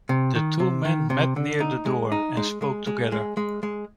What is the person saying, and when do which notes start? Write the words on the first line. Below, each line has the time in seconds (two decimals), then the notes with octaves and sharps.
The two men met near the door, and spoke together.
0.09 C3
0.35 D#3
0.60 C3
0.85 D#3
1.10 C3
1.36 D3
1.60 D#4
1.86 G#3
2.12 D#4
2.37 G#3
2.62 G#3
2.87 G#3
3.12 G#3
3.37 G#3
3.63 G#3